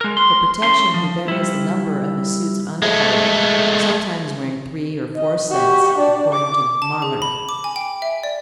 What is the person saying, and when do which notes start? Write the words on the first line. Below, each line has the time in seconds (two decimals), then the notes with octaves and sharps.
For protection he varies the number of his suits of underclothing, sometimes wearing three or four sets, according to the thermometer.
0.01 G#3 A#4
0.17 C6
0.63 C#4 C6
0.94 F3
1.28 G3 E4
2.82 G#3 A3
5.17 D#5
5.51 F#4 G4
5.98 D4 D5
6.32 D6
6.82 A5
7.02 G#4
7.22 B5
7.49 D6
7.64 G#5
7.76 G5
8.02 E5
8.23 D5